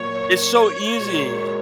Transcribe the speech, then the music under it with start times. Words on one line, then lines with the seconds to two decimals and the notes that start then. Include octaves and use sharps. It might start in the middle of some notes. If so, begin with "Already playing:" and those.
It's so easy.
Already playing: A#2 F#3 A#3 C#5
0.39 C#5
0.97 A#2 G#3 F#4 A#4